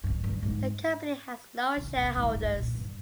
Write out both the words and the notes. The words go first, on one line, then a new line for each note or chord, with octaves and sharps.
The company has no shareholders.
G2
G2
G#2
C3
C3
G#2
G#2
A#2
G2